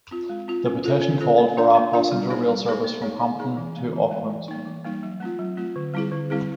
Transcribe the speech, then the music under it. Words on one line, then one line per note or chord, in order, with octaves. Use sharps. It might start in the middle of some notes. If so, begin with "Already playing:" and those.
The petition called for a passenger rail service from Hamilton to Auckland.
C4 F4
G#3
C4 F4
C#4
F4 A4 C5
C#4
F4 A4 C5
A#3
D4 F4 A#4
A#3
D4 F4 A#4
G3
B3 D#4 G#4 C5
G3
B3 D#4 G#4 C5
A#3
D#4 G#4 C#5
A#3
D#4 G#4 C#5
E3
G#3 B3
E3
G#3 B3
E3
G3 A#3 D#4
E3
G3 A#3 D#4
F#3
A3 C4 F4
F#3
A3 C4 F4
D3
G3 C4 E4 G#4
D3
G3 C4 E4 G#4